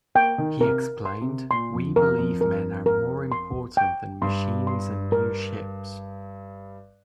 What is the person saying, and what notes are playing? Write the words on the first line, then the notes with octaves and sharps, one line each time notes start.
He explained, We believe men are more important than machines and new ships.
A#3 G5
D#3
C3 A#4
C6
C3
A#2 C6
F2
F2 A#4
F2
A#4
A#4
C6
G5
G2 C6
C6
A#4